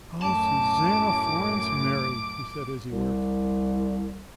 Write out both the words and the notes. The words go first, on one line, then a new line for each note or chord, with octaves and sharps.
"O Susanna Florence Mary!" he said as he worked.
F#2 A2 C#4 A5 D6
C2